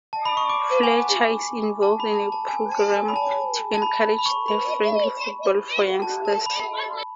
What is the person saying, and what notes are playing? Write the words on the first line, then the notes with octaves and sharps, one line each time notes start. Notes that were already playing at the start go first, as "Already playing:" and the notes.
Fletcher is involved in a programme to encourage "Deaf Friendly Football" for youngsters.
A5
B5
C#6
D6
G#5
A5
B5
A5
A5
G#5
A5
G#5
B5
A5
A5
B5
B5
C#6
B5
A5
A5
B5